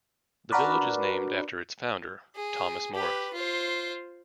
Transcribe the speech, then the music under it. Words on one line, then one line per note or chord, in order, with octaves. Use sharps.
The village is named after its founder, Thomas Morris.
D4 F#4 A#4 B4 D5
G#4
G4 B4
F4 C5